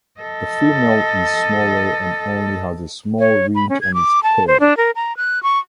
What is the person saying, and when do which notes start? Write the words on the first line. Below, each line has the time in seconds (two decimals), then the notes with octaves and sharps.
The female is smaller and only has a small ridge on its tail.
0.20 A4 D#5
3.19 C#5
3.55 B5
3.69 C#4
3.81 G#6
3.94 D6
4.23 A5
4.47 C5
4.60 D4
4.77 A#4
4.96 A#5
5.17 F#6
5.43 C#6